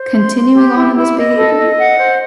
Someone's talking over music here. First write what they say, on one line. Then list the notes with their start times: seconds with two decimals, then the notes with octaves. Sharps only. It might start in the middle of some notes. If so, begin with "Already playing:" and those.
continuing on in this behavior,
Already playing: C5
0.14 C6
0.35 C6
0.54 G4
0.76 E4
0.96 E4
1.17 D#5
1.37 A4
1.58 D#5
1.78 F#5
1.98 C5